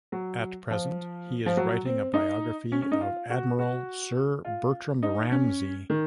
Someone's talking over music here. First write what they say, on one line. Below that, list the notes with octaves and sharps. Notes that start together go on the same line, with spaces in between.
At present, he is writing a biography of Admiral Sir Bertram Ramsay.
F#3
F3
F3
F#3
C4
D#4
C#4
C#4
D#4
F4
F#4
F#4
F4
D#4
C#4
D#3